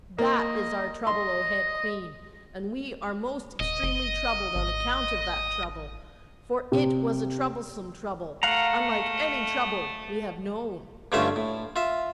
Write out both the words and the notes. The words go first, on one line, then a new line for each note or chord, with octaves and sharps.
That is our trouble, O Head Queen, and we are most extremely troubled on account of that trouble, for it was a troublesome trouble, unlike any trouble we have known.'
A#3 D#5
D#5 C6
D#1 D#5
F#1
G#1
C3
A3 F5 F#5 A#5
G2 D3 A3 C#4 F4 E5
A2
F4 E5